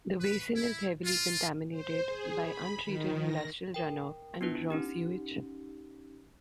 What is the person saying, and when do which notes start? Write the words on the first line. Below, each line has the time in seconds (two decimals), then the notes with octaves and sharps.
The basin is heavily contaminated by untreated industrial runoff and raw sewage.
0.20 B4
0.55 E4
1.05 F4
1.71 C5
2.07 G#4
2.43 B5
2.85 D#3
3.21 A#6
3.74 A#4 G5
4.41 B3 D4 E4 F4 B4
4.70 C#4 D#4 G4